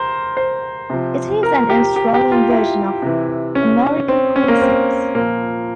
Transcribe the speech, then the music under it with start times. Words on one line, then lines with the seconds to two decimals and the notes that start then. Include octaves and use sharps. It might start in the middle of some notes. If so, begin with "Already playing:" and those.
It is an Australian version of "American Princess".
Already playing: A#4 C5
0.37 C5
0.90 C3 F3
1.43 A#4
1.70 G4
1.96 G4
2.14 G4
2.32 F4
2.50 E4
3.02 C3 E3
3.55 C#4
4.08 C4
4.36 C#4
4.48 A#3
4.61 C4
5.15 A#2 F3 A#3